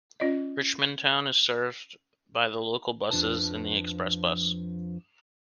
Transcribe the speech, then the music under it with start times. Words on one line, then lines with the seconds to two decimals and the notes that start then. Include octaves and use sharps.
Richmondtown is served by the local buses and the express bus.
0.20 C#4 F4 D5 D#5
3.11 F2 F3 D4 F#4 B4 A5